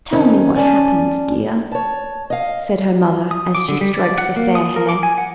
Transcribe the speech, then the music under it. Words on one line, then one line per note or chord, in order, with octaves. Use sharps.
"Tell me what happened, dear," said her mother, as she stroked the fair hair.
F2 D#3 C#4
C#4 D5 G#5 A5
C#5 A5
D#5 F5
D#6
D6
D3
G3
D5
F#5
A#3
D#6
A#4
D6
G#5
F#5